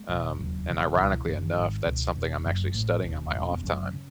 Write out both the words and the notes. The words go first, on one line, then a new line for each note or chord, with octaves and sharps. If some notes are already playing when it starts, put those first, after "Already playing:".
Um, and ironically enough, that's something I'm actually studying on my off time
Already playing: G#3
E1 E2 B2
E1 D#2 C#3 F#3
E1 E2 C#3
C#2 B2 E3
E3
F#1 F#2 C#3 E3
D#3
G#1 G#2
C#2 B2
E1 E2 B2
F#1 F#2 C#3
A1 A2
E1 D#2 C#3
E1 E2 B2 G#3
C#4
B3
F#1 F#2 C#3
C#3